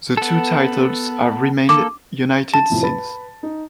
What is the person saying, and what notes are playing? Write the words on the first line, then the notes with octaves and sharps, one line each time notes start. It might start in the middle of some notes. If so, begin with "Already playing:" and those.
The two titles have remained united since.
B3 A4
A#3 A4 D6
A5 A6
F2 A2 C3
B4 B5 A6
D#4